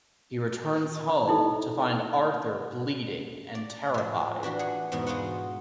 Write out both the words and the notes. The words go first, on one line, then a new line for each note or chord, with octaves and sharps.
He returns home to find Arthur bleeding and terrified.
D#4 E4 A4
D5
A2 F3
E3 D4 F#4 G4
G#4 F#5
E2 G#2 B2 E4 A#4
G#3 D#4 F4 F#4 F#5